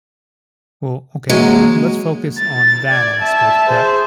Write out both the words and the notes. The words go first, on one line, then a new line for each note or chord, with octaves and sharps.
Well, okay. Well, let's focus on that aspect, but
E3 F#3 G#3 A#3
A6
D5 G#6
E5 A5
G#4 C5